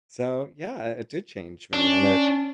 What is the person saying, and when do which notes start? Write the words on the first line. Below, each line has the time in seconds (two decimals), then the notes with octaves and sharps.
so yeah, it did change me, and it
1.73 C#4 D4